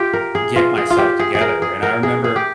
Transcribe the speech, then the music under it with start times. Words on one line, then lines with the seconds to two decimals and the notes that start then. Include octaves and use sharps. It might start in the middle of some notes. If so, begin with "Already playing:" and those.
get myself together. And I remember,
Already playing: F4 G4
0.13 A#4
0.35 G#4
0.56 F4
0.78 G#4
0.90 F4
0.98 G4
1.19 G#4
1.35 G#4
1.41 A#4
1.62 G#4
1.83 A#4
2.03 G#4
2.24 G#4
2.36 G4